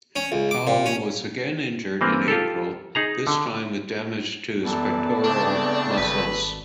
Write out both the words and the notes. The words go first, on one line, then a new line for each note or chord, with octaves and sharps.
Powell was again injured in April, this time with damage to his pectoral muscles.
C#4
C#2
D6
A#2
C#4
E3 A#3 C4
F4 G4 A4
D#4 G#4 A#5
D3
F#2 E3 B3 A4 D5
C#3 A3 C4 D4
G#1 B4